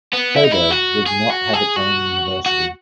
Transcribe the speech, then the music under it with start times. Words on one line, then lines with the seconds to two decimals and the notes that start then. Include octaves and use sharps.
Coburg did not have its own university.
0.13 B3
0.37 E4
0.44 D#4
0.52 E4
0.71 F#4
1.06 G#4
1.30 F#4
1.53 G#4
1.76 F#4
2.46 F#4